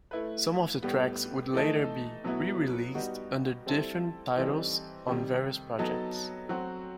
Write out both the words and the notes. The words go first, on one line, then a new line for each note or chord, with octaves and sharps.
Some of the tracks would later be re-released under different titles on various projects.
A3 E4 B4
A2 G3 B3
E3 A3 D#4 A4
B2 F#3 B3 E4
G3 B3 D#4 F#4
G3 C4 E4 A4
E3 G3 C4 D#4 A4
C3 D#3 G3
F#3 B3 D#4 A4
F#3 C4 F#4